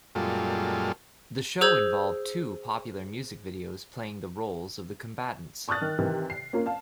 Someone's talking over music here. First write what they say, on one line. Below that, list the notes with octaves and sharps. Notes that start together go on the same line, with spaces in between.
The show involved two popular music videos playing the roles of the combatants.
F#2 A#2 G3 G#3 F4 A4
G#4 C5 E6 G6 G#6 F#7
A5 C#6 D#6 F6 F#6 A6
D#3
C3 D#3 E3
C7
A#3 C#4 F4 A#4
F5 A5